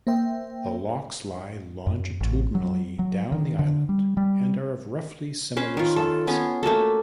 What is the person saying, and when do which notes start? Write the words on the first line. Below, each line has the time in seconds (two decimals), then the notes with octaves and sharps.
The lochs lie longitudinally down the island and are of roughly similar size.
0.07 A#3 C5 E5 G5
1.87 F#2
2.21 A1
2.55 F#3
2.99 F#3
3.32 D#3
3.59 D3
3.89 G3
4.17 G3
5.57 C#4 B4 C5
5.77 D#3 F4
5.96 A4
6.27 B3 C#4 G#4
6.63 A3 A#3 F#4 A4